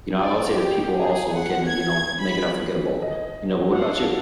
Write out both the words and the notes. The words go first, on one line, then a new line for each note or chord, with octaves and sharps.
you know, I would say the people also can, you know, make it unforgettable, you know. But what about you?
D5
G4
G#4
F#5
G#6
B5
D#5
D4 A4 F5 F#5